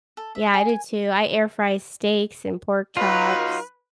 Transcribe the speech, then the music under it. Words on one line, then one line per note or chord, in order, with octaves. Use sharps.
Yeah, I do too, I air fry steaks and pork chops.
A4
E5
G#4
G#5
F#3 D#4 F4 B4